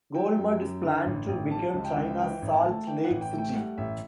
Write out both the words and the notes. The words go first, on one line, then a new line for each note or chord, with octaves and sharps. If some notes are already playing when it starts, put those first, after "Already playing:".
Golmud is planned to become "China's Salt Lake City".
F#3 G5
F#2
F#2
D3
A1
A1
G3 A5
C#2
G5
C#2
E3 G5
A1
A5
A3
E3 G5
F#5
A1
G5
A3
G5
G3 F#5
A1 E5